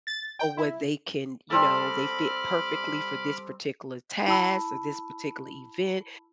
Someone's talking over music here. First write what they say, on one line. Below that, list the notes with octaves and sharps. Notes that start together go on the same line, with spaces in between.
or where they can, you know, they fit perfectly for this particular task or this particular event.
A6
G5
E4
G3 C4 A4 B5 D6 F6
E4 A5 B5 E6